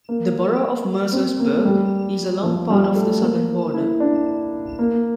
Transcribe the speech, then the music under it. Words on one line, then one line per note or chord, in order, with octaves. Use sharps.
The borough of Mercersburg is along part of the southern border.
A#3
C4
A#3
A3
G3
F3
G3
A3
A#3
E4
D4
A#3